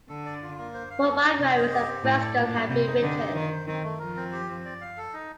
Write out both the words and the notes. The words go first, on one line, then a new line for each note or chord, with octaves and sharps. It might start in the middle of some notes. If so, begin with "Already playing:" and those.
Four biographies of Prescott have been written.
D3 A4
D5
F4
A#3
C5
F5
A4
D#4
C3 C5
D#5
G4
C4
A2 A4
D5
A#2 D4
G3
C3 C5
D#4
D3 G4
D#4
D#3 F4
C5
D#3 C4
A3
F3 A#4
C4
G4
C4
D5
F5
A4
D#4